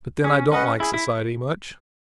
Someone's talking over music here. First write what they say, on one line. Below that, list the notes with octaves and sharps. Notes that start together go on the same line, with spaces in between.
But then, I don't like society--much.
C#4 G#4
C#4 B4 D#5 F#5
E4 G#4
E4